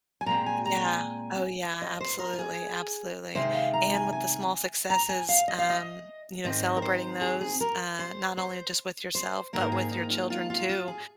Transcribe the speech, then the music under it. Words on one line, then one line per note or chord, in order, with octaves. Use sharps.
Yeah. Oh, yeah, absolutely, absolutely. And with the small successes, um, you know, celebrating those, uh, not only just with yourself, but with your children too,
G#5
A#2 G#3 C4 A#5
G#5
A#5
G#5
D#5
C5
A#4
F4
G#4
C3 D#3 G#3 C5
F5
A#5
G#5
G#5
A#5
G#5
F5
D#5
F5
D#5
G#2 D#3 C4 D#5
A#4
C5
G#4
G#4
A#4
C5
C5
C5
G#2 D#3 A#3 A#4
G#4
D#4
F4
F4
F4
F4
G#4